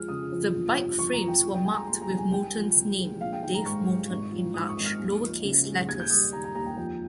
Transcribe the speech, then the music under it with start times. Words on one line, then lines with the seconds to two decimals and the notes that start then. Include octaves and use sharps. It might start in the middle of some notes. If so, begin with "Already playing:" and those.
The bike frames were marked with Moulton's name, "Dave Moulton" in large lower-case letters.
Already playing: F2 G#3 F6
0.08 C#3 D#6
0.32 F2
0.54 G1
0.76 C3
0.98 F2 C#6
1.13 A#5
1.21 F3
1.28 G5
1.43 C2
1.54 G5
1.65 G#3 G#5
1.76 A#5
1.87 A#2 C6
2.02 A#5
2.09 C2
2.18 G#5
2.32 C2 G5
2.54 F3
2.76 C3
2.98 G#3
3.21 A#1 F5
3.33 G5
3.43 D#3 G5
3.54 A#5
3.65 G#2 C#6
3.88 G3
4.10 G#1
4.32 F3
4.54 G#2 D#6
4.69 C#6
4.77 G#1
4.85 F6
4.99 D#2
5.21 F3
5.43 C#3
5.66 G#3
5.88 D#2 G#6
6.00 G6
6.10 G3 D#6
6.33 D#3 A#5
6.44 A#5
6.54 D#2 A#5
6.66 G5
6.77 F2 G5